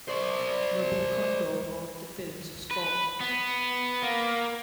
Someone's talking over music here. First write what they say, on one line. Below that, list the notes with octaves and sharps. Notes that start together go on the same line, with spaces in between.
Robbie Kondor wrote the film's score.
C5 D5
B4
B3
A#3